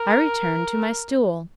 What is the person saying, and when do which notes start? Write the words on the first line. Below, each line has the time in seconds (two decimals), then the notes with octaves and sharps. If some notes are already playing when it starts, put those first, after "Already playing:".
I returned to my stool.
Already playing: A#4